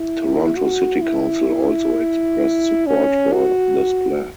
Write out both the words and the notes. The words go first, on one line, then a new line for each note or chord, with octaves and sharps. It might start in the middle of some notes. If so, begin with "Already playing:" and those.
Toronto City Council also expressed support for this plan.
Already playing: E4
F#4
E4
C#4
F#4